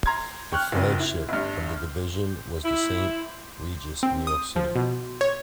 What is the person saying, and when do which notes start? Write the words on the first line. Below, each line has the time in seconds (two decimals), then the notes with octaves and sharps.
The flagship of the division was The Saint Regis in New York City.
0.06 A#5 C6 G#6
0.52 G5 C#6 F6 F#6
0.72 F#1 F2
1.00 E4
1.29 G1 G2
2.64 E4
4.03 C4
4.27 D#6
4.56 F3
4.76 B2
5.21 C#5